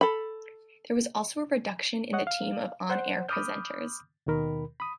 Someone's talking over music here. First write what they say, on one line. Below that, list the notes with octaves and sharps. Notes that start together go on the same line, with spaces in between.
There was also a reduction in the team of on air presenters.
A4 B5
C#5 D#5 F#5
F5
C5 F#5
B5 D6 D#6 F6 G6
D#2 B2 D#3 A#4 B5
B5 D#6